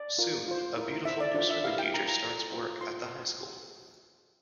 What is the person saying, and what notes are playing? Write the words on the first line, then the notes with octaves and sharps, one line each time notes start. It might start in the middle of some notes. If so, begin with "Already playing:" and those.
Soon, a beautiful new swimming teacher starts work at the high school.
Already playing: D5
F4 A#4
F4 C5
E4 A#4
E4 A4 C5 E5
D5
D4 F4 A4 C5 D5
E5
E4 G4 A#4 F5
G5
E4 A#4 A#5
A#5
F4 A4 C5
F4 C5
F4 C5 C6